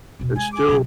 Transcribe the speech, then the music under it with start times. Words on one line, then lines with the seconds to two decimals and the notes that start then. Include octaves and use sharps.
and still
0.19 E1 B2
0.36 G#3 G#5
0.52 G#4 D6
0.68 B2 F#3